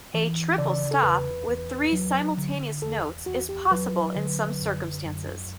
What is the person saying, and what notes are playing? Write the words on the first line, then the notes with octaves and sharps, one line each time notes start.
A "triple stop" with three simultaneous notes is possible in some circumstances.
E3
C#3 D5
A4
E2 B4
E2
F#3
D3
E2 A4
E2 F#4
G4
F#3 B4
D3
F#2
F#2